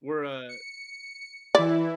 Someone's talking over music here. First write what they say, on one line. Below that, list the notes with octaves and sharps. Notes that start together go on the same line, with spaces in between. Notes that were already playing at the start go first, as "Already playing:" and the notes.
we're, uh,
C#7
E3 E4 D5